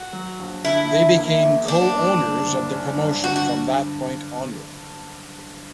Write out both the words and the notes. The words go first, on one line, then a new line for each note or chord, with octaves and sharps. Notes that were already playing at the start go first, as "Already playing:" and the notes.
They became co-owners of the promotion from that point onward.
Already playing: F#4
F#3
A#1
D3 E4
E1
A#3
E2
A#3 D4
G2
D3
F#1
C#4
G2
D3 F#4
F#4